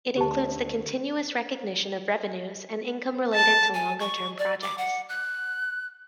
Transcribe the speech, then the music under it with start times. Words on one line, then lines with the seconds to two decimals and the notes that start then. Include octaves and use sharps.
It includes the continuous recognition of revenues and income related to longer-term projects.
0.18 D2 G4 A5
3.35 A5
3.74 G#5
4.00 C#6
4.39 D5
4.62 D6
4.78 F#5
5.09 F#6